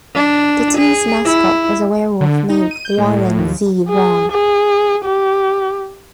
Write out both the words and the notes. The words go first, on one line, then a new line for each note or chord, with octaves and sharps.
The team's mascot was a werewolf named "Warren Z. Vaughn".
D4
G#4
E4
D3
D#4
D#7
G6
A2
D#2
G#4
G#4
G4